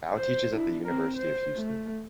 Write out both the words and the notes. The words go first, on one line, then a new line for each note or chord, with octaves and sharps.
Bao teaches at the University of Houston.
C5
D4 E4
C4 A#4
C5
A3